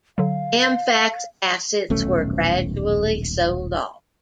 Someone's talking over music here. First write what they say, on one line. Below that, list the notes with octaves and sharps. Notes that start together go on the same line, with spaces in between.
Amfac's assets were gradually sold off.
D3 F#3 F5
D#1 B1 A3 C#4